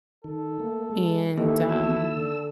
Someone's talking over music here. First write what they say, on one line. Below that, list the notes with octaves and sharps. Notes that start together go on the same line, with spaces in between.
and, um
D#3 A4
A3 A#3
G#3
D#2 A#3 D#4 E4 G4 A4
F#4 A4 E6
D3